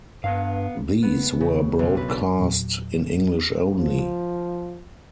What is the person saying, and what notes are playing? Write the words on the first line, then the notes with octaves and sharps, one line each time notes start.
These were broadcast in English only.
G2 B3 F5
B3
C#3
B1
B4
D4
E2 A#2 F#3
F3